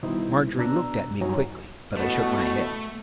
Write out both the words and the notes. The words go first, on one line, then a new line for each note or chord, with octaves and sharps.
Margery looked at me quickly, but I shook my head.
B2 D#3 G3 D#4 E4 C5
B2 D4 A#5 E6 F#6
G2 F#3 D#4 C#5 G#5 A#5
A1 B2 A3 B3